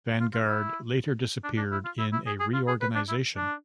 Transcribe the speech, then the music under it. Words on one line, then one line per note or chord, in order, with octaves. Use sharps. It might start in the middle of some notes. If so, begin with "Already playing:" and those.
Vanguard later disappeared in a reorganization.
F4
F4
E4
D4
D4
E4
F4
E4
E4
G#4
G#4
F4
G#4
B4
D4
E4
D4